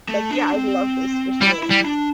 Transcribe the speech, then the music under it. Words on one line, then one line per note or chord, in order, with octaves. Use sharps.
Like, yeah, I'd love this for sure.
A3
D4
C4
G3 E4
E4
G3
D4